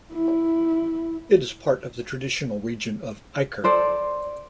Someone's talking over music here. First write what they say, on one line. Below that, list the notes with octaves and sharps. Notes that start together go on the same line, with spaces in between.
It is part of the traditional region of Eiker.
E4
A4 C5 D5